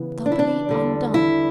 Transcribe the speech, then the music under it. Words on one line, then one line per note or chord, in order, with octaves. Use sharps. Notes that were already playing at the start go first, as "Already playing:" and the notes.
Doubly undone!
Already playing: C#3 E3 B3
D4
E4
D4
E2 D3 G3
E4